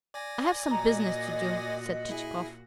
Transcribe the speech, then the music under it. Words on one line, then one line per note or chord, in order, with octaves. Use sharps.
"I have some business to do," said Chichikov.
D5 G#5 A#6
A#2 F#4 D#5 A#5
E4 G#4